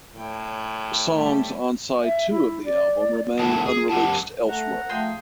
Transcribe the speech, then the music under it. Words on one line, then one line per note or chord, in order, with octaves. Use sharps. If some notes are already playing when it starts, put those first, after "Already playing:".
Songs on side two of the album remain unreleased elsewhere.
A2 C#5 G5
G3 A3
E5
E4
D5
E2 A2 D#3 F#3 A5
G#4
F#2 G4 F#5 A5
A3 F#5 A#5
F3 A3 G#4 G5 C6